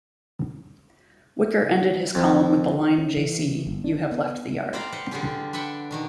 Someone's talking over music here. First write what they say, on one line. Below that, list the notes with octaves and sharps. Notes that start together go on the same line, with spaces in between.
Whicker ended his column with the line Jaycee, you have left the yard.
F2
C#4
E3
G1
D4
B3
C4 C5 D5 F5 A#5 B5
B4 C5 F#5
D3 G3 D4 F4 G4 G#4
D4 B4 E5 F#5 G5
B2 D#3 D4